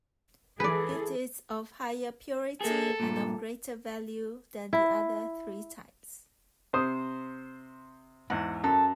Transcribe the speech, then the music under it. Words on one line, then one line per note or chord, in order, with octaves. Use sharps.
It is of higher purity and of greater value than the other three types.
E3 G#4 A4 B4 D5
A#3 G#4 A4
G2 A#2
E4
C3 C5 D#6
E2 G#2 F#5
F#2 A4